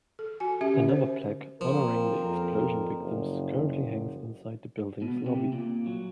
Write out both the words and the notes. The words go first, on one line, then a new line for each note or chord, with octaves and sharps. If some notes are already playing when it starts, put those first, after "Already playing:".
Another plaque honoring the explosion victims currently hangs inside the building's lobby.
A4
F#4 G#5
C#4 G4 E5
D3
C5
A#2 F3 C4 A#4
F2
F#1
B2
C3
A#2
F#3